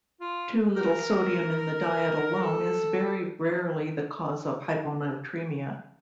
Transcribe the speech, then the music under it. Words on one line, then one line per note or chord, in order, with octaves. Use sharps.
Too little sodium in the diet alone is very rarely the cause of hyponatremia.
F4
A#4
A4